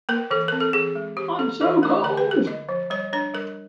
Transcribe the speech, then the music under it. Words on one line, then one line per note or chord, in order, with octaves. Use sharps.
I'm so cold!
A#3 A#4
E3 A4
C4 A#4
A4
E3 G#4
G#3
E3 G4
C#4 A4
E3 A4
A3 A#4
D3 A#4
B4
G#3
A#4
D3 D#5
F3
G3 C#5
D4 C#5
G3 A#4